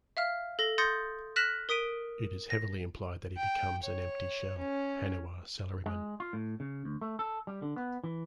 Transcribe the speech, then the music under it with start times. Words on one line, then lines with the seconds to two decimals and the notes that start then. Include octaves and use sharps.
It is heavily implied that he becomes an empty shell, Haniwa Salaryman.
0.17 E5 F5 F6
0.59 A4 A#6 G7
0.78 C6 D#6 G6 A6 A#6 C#7
1.36 F6 F#6 A#6 B6 E7 F#7
1.69 A#4 D#6 B6 D7 D#7
2.50 A#6
3.37 G5
3.83 C#5
4.58 C#4
5.86 G#3
6.20 F4
6.33 A2
6.60 C#3
6.85 D2
7.01 A3
7.19 A4
7.47 G3
7.62 D3
7.76 B3
8.04 E3